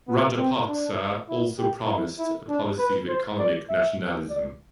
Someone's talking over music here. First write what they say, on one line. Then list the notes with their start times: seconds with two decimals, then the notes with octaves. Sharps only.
Rajapaksa also promised a policy of economic nationalism.
0.08 B3
0.38 C4
0.68 D4
1.29 E4
1.59 G4
1.88 E4
2.19 E4
2.49 D4
2.79 B4
3.08 C5
3.39 D5
3.69 E5
4.30 D5